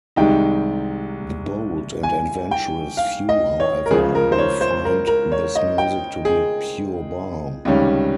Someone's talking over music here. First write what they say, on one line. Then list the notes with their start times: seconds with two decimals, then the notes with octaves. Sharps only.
The bold and adventurous few however, will find this music to be pure balm.
0.16 C2 C3 D#3 G#3 D#4 G5
2.03 G#5
2.51 G5
2.97 F5
3.29 D#5
3.60 C#5
3.86 A#4
3.91 C#2 C#3 F3 G#4
4.15 A#4
4.32 C5
4.38 C#5
4.61 C5
4.85 A#4
5.07 A#4
5.32 C#5
5.55 D#5
5.78 G5
6.25 G#4
7.65 C#2 C3 D#3 G3 C#4